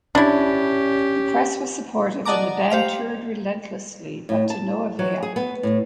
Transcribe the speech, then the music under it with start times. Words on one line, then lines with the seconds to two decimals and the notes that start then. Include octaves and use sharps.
The press was supportive and the band toured relentlessly, but to no avail.
0.15 C#4 D4 E4 G4
2.25 D5 D#5 F#5 A5 A#5 D6
2.70 G4 C5 F5 F7
4.29 A2
4.50 A5
4.99 F#3
5.23 G#4
5.36 B3
5.63 A2